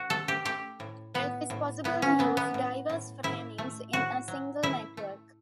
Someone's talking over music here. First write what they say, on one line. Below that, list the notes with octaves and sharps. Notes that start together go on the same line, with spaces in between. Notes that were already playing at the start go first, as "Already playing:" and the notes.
It is possible to use diverse framings in a single network.
Already playing: F#4
A3 A4
G4
A3 G4
A2
A2 B3
A2
A2 B3
C#4
F#3 B3
B3
A2
A2
A2 E4
A3
A2 F#4
F#3
A3 E4
A3